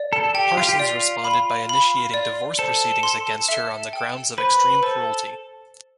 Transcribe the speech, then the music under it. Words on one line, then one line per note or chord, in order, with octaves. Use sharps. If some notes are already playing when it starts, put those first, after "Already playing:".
Parsons responded by initiating divorce proceedings against her on the grounds of "extreme cruelty".
Already playing: D5
A4
G4 G5
F4
G4
F4 D5
B5
B5
D5
A4 C5
C6
E5
G5
B4 C5
A4 C5